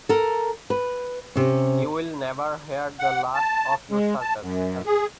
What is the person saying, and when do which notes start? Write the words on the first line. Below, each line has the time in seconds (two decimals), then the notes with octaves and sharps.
You'll never hear the last of your circus, cousin.
0.09 A4 A#4
0.70 B4
1.35 C3 C#4
3.00 F#5
3.35 A5
3.91 G#3
4.21 A5
4.41 F#2
4.86 G#4